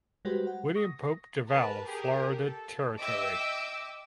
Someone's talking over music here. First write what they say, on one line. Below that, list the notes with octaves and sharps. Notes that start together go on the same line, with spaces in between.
William Pope Duval of Florida Territory.
G3 G#3 F#4 G4 B4 C5
F#5
C#6 D#6 A#6
A#4 B4 A5
G4 G#4 A#4
A4
D#5 E5 G5 D6 E6